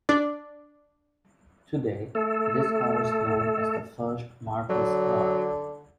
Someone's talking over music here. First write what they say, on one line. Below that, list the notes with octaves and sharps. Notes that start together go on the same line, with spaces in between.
Today, this car is known as "the first Marcus car".
D4 D5
A3 A4
D3 F#3